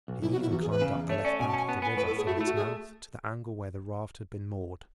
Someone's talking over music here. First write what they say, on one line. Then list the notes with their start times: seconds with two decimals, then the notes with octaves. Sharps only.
He even climbed up the left bank of the river from its mouth to the angle where the raft had been moored.
0.08 B1
0.22 B1 E4
0.32 F#4
0.36 B1
0.42 E4
0.51 E2 F#4
0.61 G#4
0.65 E2
0.71 B4
0.81 C#3
0.96 E2
1.09 A3 C#5
1.24 C#4 D5
1.39 B2 G#5
1.48 A5
1.54 C#4 G#5
1.68 B3 A5
1.82 B3 G#5
1.97 A2 B4
2.07 A4
2.11 A2
2.17 G#4
2.27 A3 F#4
2.37 E4
2.41 A3
2.46 F#4
2.56 G#4